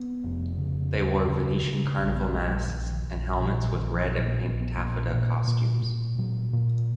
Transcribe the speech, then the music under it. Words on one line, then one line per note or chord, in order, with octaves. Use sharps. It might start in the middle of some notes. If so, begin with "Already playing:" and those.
They wore Venetian carnival masks and helmets with red and pink taffeta costumes.
Already playing: B3
F1
C#3
D#2
C#3
C#3
A#1 C#4
B3
A#1 G#3
F#3
A#1 D#3
A#1
A#2 F3
F3
A#1 D#3
A#2 F#3
A#3
A#1 B3
B3
A#2 A#3
A#2
A#2
A#2
A#2 F#3
A#2